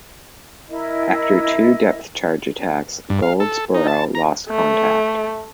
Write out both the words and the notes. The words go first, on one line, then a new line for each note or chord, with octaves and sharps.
After two depth charge attacks, "Goldsborough" lost contact.
E4 A#4 D#5
G2
F5
A4
D#4
A5
A#5
A3